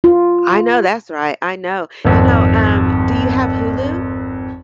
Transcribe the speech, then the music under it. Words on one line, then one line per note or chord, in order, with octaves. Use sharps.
I know that's right, I know. You know, um, do you have Hulu?
F4
G#1 F2